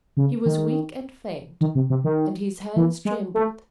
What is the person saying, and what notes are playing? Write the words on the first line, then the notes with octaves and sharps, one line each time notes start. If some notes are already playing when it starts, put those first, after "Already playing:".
He was weak and faint, and his hands trembled.
C#3
D#3
D#3
C3
C3
D#3
E3
G#3
A3